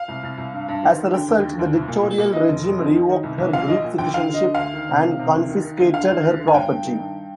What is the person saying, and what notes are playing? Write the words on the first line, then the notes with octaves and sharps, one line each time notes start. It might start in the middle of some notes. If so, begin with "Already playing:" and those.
As a result, the dictatorial regime revoked her Greek citizenship and confiscated her property.
Already playing: F5
C2
C2
C2
G2
G2
G1
D#3
D3 G5
D#2
D3
D#2
C2
A#2
A#2
A#2
D3 D#5
F1
F1
F2
D#3
D#3
C2
C2
A#1 F5
A#1 D#5
A#2
A#1 G5
D3 F5
D3 D#5
D3
D2 F5
D#3
C3
D#3
C3
D2
D#3
D#3
D2
D3 F5
D2
D2
D3
G#5
G2 G5
G2
D#3
G2